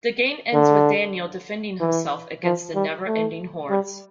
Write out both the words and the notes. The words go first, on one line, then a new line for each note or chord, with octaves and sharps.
The game ends with Daniel defending himself against the never-ending hordes.
D3
E3
F3
G3
A3
G3